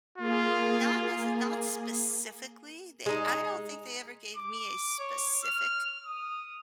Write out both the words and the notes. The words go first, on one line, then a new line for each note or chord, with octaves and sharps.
Not nece not specifically. They I don't think they ever gave me a specific
A#3 F4 G#4
G#3 D#4
D6
C#5
F6
D#6